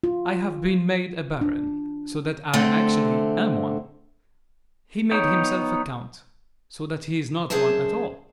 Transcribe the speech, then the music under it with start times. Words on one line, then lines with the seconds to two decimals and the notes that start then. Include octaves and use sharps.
"I have been made a baron, so that I actually am one; he made himself a count, so that he is not one at all."
0.04 F4
1.41 D4
2.53 D3 A3 C4
5.11 B3 D#4 C#5 G5
7.50 F#2 G#4 C5 E5 A5